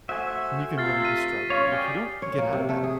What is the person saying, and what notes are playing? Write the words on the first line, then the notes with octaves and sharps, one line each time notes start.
and you can really be struggling and if you don't get out of that,
A3 F#4 C5 E5 G#5
C3 A3 F4 F6 A6 C7
B6 D#7
F#2 F4 C#5 F5
G4 G#4 D5 C7
C#5
A#3
C3
A3
G#4